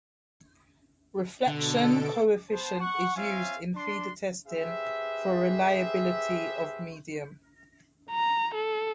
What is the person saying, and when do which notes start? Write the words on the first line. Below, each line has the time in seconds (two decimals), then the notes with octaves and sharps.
Reflection coefficient is used in feeder testing for reliability of medium.
1.48 B2 D3 A4 D7
2.50 B3 C5 A5
2.80 F#5 C#6
3.16 C4 F4 C#5 E5 F5 G#5
3.75 D4 C6
4.48 G4 G#4 B4 C5 E5
8.11 A#5
8.55 A4